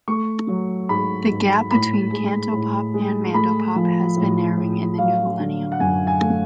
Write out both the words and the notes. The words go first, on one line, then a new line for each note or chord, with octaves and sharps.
The gap between cantopop and mandopop has been narrowing in the new millennium.
A3 C#6
F#3
G#2 B5
G#2
A2 B5
G#3
A2
G#3
A3 B5
F3
A2
A2
F#3 F5
D3
F#5
F#2 G#5
G#5
A3